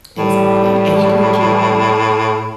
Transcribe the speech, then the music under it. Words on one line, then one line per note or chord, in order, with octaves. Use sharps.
Exactly, and he proved you wrong,
A2 G3